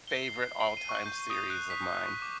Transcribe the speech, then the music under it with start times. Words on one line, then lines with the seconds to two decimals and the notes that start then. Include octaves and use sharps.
favorite all-time series of mine.
0.07 G7
0.24 C7
0.59 C7
0.77 D#7
0.89 C#6
1.06 G6
1.30 D#6
1.50 F#6
1.70 B6
2.05 C#6
2.22 D6